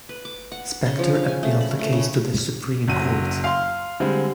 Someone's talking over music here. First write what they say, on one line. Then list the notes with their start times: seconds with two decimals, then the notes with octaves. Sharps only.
Spector appealed the case to the Supreme Court.
0.09 B4
0.25 D6
0.52 F#5
0.86 C#3
0.99 F3
1.15 F5
1.28 G#5
1.43 A3
1.61 B5
1.79 A3
1.93 C#3
2.88 F#1 F#3 D#7
3.44 F5 C6
4.00 D3 G3 G#3 C4